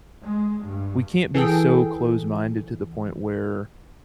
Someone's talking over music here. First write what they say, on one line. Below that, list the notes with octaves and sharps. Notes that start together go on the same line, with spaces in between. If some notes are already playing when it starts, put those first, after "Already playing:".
we can't be so close-minded to the point where
G#3
G2
E3 G#4 A4 G5